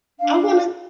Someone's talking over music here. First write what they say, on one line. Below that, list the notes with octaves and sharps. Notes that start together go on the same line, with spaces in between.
I wanna
D4 F5